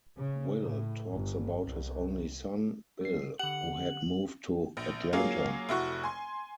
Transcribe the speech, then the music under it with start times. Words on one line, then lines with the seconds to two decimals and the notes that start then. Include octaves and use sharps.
Will talks about his only son, Bill, who had moved to Atlanta.
0.17 C#3
0.62 A2
1.12 G1
1.67 C2
3.01 G3 C7
3.39 D3 G4 F#5 F#7
4.77 A#1
5.13 F#3 A#3 C#4 F4 G#4
5.69 F1 E4 F#4 C#6
6.04 G#5 C6